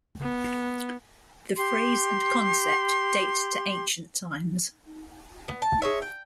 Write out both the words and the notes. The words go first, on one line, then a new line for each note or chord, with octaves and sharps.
The phrase and concept date to ancient times.
B3
G4 C6
B3
A5
G#3 C#5 E5
G5